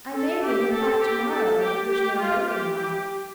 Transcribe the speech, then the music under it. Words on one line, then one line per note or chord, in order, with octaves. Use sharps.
'I may be in the Park to-morrow, if there is no working light.
A4
G4
A4
G4
A4
G4
G4
F4
G4
G4